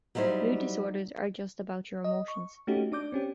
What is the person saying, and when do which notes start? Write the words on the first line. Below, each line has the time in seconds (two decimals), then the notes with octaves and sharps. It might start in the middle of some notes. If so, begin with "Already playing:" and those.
Mood disorders are just about your emotions.
0.15 F#3 G3 D#4 E4 C5
2.04 D#5
2.28 C#6
2.67 A3 C#4 D#4 F#4 G4
2.92 D4 D5 D6 G6
3.12 C4 C#4 G4